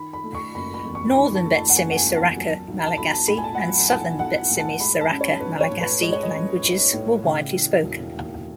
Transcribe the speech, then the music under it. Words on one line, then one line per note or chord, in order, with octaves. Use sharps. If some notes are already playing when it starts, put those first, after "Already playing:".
Northern Betsimisaraka Malagasy and Southern Betsimisaraka Malagasy languages were widely spoken.
Already playing: D#3 B5
B5
A3
C#6
F#1 B5
B5
E2
C#6
D#3 B5
A5
A3
A5
F#5
F#1 G#5
F#5
G#5
E2
A5
F#3
B1
A5
B1 B5
A5
A2 B5
G#5
A5
F#5
F#3 G#5
B1 A5
B1 F#5
A2
A5
G#3 B5
A5
C#4
C#5
B1 B4
C#5
A2
B4
G#3 D#5
C#5
D#5
C#4
B1
A2
C#3
E3
E1
D#2